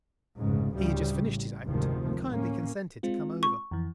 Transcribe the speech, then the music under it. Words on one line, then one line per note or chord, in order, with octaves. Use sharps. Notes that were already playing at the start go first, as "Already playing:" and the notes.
He had just finished his act and kindly consented to come over.
F1 A#1 G#2 C#3
D2 A2 C#3 G3
A1
F1 D2 G#2 C3 D#3 F3
A2 A#3 C#4
G#3 C4 F4
C#6
F2 E3